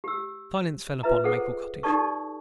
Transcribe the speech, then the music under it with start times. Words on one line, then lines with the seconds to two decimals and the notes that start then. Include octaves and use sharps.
Silence fell upon Maple Cottage.
0.04 G4 E6
1.03 F4 B4 E5 A#5
1.24 G#4 A4 C5 F#5
1.83 D#4 G4 A4 D5 A5 C#6